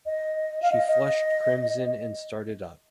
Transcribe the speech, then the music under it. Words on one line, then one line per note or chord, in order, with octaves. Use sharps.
She flushed crimson and started up.
D#5
F5
D#5
D#5